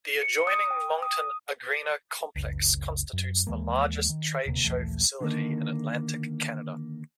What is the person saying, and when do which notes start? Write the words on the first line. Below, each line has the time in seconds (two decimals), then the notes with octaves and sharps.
The adjoining Moncton Agrena complex constitutes the largest trade show facility in Atlantic Canada.
0.22 C#7
0.47 D#6
0.71 G5
1.03 D#6
2.36 F#1 C#2
3.13 F#2
3.47 D#2 E3 G#3 A#3
4.09 D#3
4.46 D#1 D2 C3 A#3
4.64 A#1 D#2 E3 A3
5.21 D3 D#3 A#3